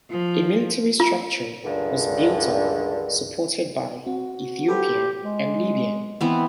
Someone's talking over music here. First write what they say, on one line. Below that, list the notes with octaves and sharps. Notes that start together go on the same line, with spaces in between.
A military structure was built up, supported by Ethiopia and Libya.
F3
F4
C#2 G2 D3 D#3
C4 F#4
G4 A4 B4 C5
G#3
E3 B3 C4